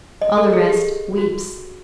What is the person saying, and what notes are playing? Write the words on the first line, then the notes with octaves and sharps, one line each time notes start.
All the rest weeps.
D#5
A4
G#4
G4
F#4